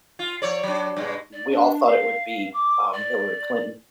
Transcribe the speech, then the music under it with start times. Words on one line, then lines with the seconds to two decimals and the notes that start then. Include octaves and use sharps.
we all thought it would be, um, Hillary Clinton.
0.19 F4
0.42 F3 C#5 D5
0.63 F#3 D4
0.97 G2 B2 G#3
1.32 D5
1.51 D4
1.86 F5
2.53 D6
2.92 D5